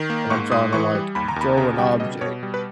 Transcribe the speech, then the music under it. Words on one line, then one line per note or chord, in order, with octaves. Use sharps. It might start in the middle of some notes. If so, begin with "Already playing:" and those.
and I'm trying to, like, throw an object,
Already playing: D#3
A#3
G#2 C#6
G#2 D#6
E3 C#6
G3
D#2 B5
A#5
D#2 B5
C#3 A#5
G3 G5
B2 D#5
B2 C#5
G3
B4